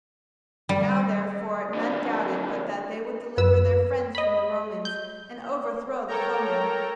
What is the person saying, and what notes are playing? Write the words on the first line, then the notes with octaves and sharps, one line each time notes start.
Now, therefore, none doubted but that they would deliver their friends from the Romans, and overthrow the foemen.
G3
A#2 D3
F#2 B4 E6
D#5 B5
G6
A4 A#4 C#5 G5 A#5